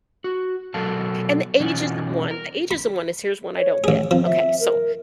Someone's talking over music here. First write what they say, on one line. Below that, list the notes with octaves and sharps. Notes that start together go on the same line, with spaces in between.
And the ageism one, the ageism one is here's one I don't get, okay, so,
F#4
B2 F#3 A4 A#4 F5 A5
B2 E3 C#4 D#4 F4
A#4
B5
C#5
A1 G#4
F3 C4
E5
A#4